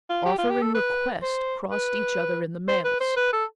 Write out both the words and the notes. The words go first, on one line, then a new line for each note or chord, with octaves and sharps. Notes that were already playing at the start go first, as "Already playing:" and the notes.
Offer and request crossed each other in the mails.
F4
G4
F4
G4
A4
B4
C5
B4
C5
B4
C5
B4
A4